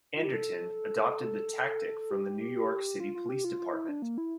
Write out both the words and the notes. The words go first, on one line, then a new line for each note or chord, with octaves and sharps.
Anderton adopted the tactic from the New York City Police Department.
F4
G4
A4
A4
G4
F4
F4
G4
F4
F4
E4
D4
A#3
E4